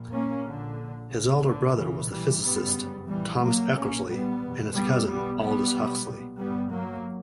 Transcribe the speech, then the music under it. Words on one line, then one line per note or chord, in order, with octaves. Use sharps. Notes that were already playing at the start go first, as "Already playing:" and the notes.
His elder brother was the physicist Thomas Eckersley; and his cousin, Aldous Huxley.
Already playing: A#1 A#2
A#3 C#4
A#1 A#2 D3
B1 A#2 C#3
D3
B1 A#2 C#3 E3
E3 G3
G1 F#2 C#3 G3 B3
A#1 A#2 E3 G3
F#3 A#3
B1 A#2 A#3 C#4
G3 B3
F#1 E2 B2
G3 B3
B1 B2 G3 B3
G3 B3
B1 A#2
G1 G2 G3 B3
F#3 A#3